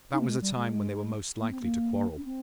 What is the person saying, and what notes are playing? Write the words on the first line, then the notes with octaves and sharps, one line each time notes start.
That was the time when they were most likely to quarrel.
D#4
A#3
G#3
G3
G#3
A#3
C4
A#3
C#4
C4